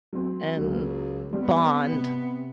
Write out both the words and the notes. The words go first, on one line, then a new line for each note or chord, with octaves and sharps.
and bond.
F#3 C4
C#2 F#3 A#3
G3 B3 C4
C3